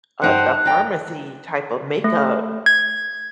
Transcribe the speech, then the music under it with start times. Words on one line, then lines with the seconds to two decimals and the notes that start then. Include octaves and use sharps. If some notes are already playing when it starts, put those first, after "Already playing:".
a a pharmacy type of makeup
0.22 G2 D#4 C5 F#5 G5 A5 F#6
0.65 D5 G5 A#5
2.04 A3
2.66 G#6